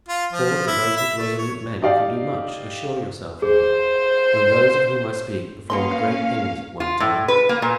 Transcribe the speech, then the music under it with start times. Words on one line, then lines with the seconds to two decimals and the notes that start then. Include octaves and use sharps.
"Four devoted, resolute men can do much, assure yourself, madame; and those of whom I speak performed great things at one time."
0.08 F4
0.32 F3
0.67 E4
0.97 E5
1.18 A3
1.38 C#5
1.82 D#4 G4 D5 F5
3.42 G#4 C5
5.70 B2 F#3 A#3 C#4 F5 C6
6.80 F4
7.00 A2
7.28 B4
7.49 A#3
7.62 A#2